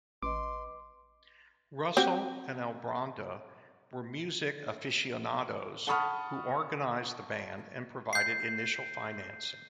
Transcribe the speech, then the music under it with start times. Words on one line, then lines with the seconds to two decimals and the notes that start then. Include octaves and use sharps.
Russell and Albronda were music aficionados who organized the band and provided initial financing.
0.23 A1 B4 D#5 C6 D6
1.97 C4 F#4 G4
5.87 F#5 A5 B5 C#6 D#6 F6
8.13 G6 C7